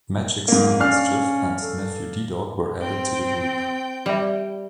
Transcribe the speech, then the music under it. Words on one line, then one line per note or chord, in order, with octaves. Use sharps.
Magic's son Mischief and nephew D-Dog were added to the group.
G#2 A#3
C#4 D4 F5 F6
A4
C4 G5
G3 D5 E5